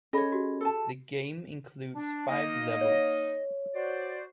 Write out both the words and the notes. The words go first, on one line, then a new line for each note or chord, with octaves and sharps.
The game includes five levels.
C#4 G#4 A4 C#5 D#5 B5
F#4 G4
A4 A5
D4
A#3 D#4 D#5
C#5
F#4 C5 D5